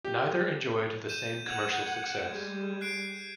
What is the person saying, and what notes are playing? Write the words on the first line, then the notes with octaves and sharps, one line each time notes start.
Neither enjoyed the same commercial success.
G4
G6 D#7 E7
F#5 G#6 F7
G3 G#3
F#6 C7 D7